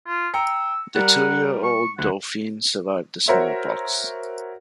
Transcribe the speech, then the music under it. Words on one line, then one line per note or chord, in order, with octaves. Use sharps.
The two-year-old Dauphin survived the smallpox.
F4
G5 A#5 E6 C#7
G3 A#4 F#5
C#6
D2 F#5
F#4 A#4 C5 C#5 E5